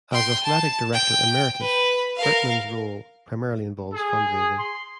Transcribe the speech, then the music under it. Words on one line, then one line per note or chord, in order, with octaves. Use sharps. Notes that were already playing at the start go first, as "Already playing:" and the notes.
As athletic director emeritus, Bertman's role primarily involves fundraising.
G5 C6
A5
G5
B4
A#4 F5
G#4
C6